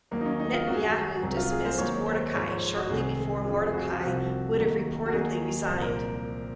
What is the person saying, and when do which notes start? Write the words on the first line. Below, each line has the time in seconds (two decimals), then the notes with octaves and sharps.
Netanyahu dismissed Mordechai shortly before Mordechai would have reportedly resigned.
0.11 D#2 D#3 F#3 A#3
0.21 D#4
0.26 C#4
0.40 D#4
0.54 F4
0.67 F#2 D#3 F#3 F#4
0.74 G#4
0.81 F#4
1.22 C2 C3 F#3 F#4
1.37 F4
1.50 G#4
1.65 C5
1.78 D#2 D#3 F#3 C#5
2.06 C5
2.34 G#2 F3 C#5
2.48 C5
2.61 C5
2.76 F#4
2.89 C2 C3 D#3 G#4
3.45 F2 C#3 F3 G#4
3.67 G#4
3.73 F#4
3.93 F4
4.01 C2 C3 F3 F#4
4.56 D#2 D#3 F#3
5.06 F#4
5.12 D#2 D#3 F#3 G#4
5.67 C2 A#2 F3 C5
5.81 A#4